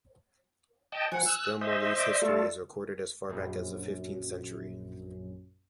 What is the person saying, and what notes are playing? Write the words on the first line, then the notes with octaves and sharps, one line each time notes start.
Skelmorlie's history is recorded as far back as the fifteenth century.
D#5 G5 A5
F3 F#5 G#5
E6 F#6
C5 D#5 E5
D5
A3 F4 A4
A#1 F#2